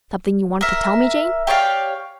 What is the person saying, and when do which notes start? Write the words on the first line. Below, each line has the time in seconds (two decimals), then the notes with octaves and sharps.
Something you wanted to tell me, Jane?'
0.61 A#4 E5
1.47 G4 C#5 D5 F5